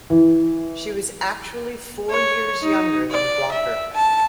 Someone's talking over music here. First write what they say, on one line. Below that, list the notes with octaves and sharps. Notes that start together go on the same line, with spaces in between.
She was actually four years younger than Blocker.
E3
C#5
D#4
D5
E5
A5